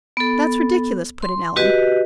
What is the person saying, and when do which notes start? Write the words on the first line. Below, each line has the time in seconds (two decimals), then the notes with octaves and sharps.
"That's ridiculous!" put in Ellen.
0.17 B3 A4
1.22 C6
1.56 F#4 G4 B4 D#5